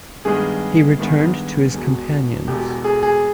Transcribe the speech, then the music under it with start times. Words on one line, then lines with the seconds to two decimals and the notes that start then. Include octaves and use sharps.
He returned to his companions.
0.25 G2 D#3 G#3 B3 G#4
0.99 G2 D#3 G#3 B3
1.73 E1 E2 B2
2.47 E1 E2 B2 G4
2.84 G#4
3.03 G#4